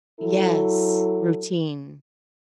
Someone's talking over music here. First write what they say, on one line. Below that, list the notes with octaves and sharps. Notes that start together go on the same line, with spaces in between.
Yes. Routine.
F#3 E4 A4